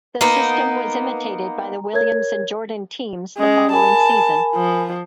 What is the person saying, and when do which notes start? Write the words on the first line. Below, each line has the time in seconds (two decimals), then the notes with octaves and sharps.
The system was imitated by the Williams and Jordan teams the following season.
0.21 A#3 B3 D#4 A#5
1.93 A#4 C#5 G#6
3.38 G#3 C#4
3.72 A#4 G#5 A5 B5
4.55 F3